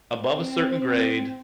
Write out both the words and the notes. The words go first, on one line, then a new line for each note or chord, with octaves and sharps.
above a certain grade
C4